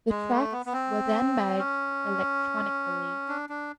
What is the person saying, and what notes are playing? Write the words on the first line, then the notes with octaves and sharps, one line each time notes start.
The tracks were then merged electronically.
G#3
A3
B3
B3
C4
C#4
D4
D4